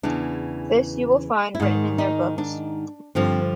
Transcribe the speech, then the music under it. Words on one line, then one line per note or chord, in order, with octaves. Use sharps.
This you will find written in their books.
E2 C#3 E3 D4
E4
G#2 D#3 D#4
D#4
D4
G2 D3 F3 C4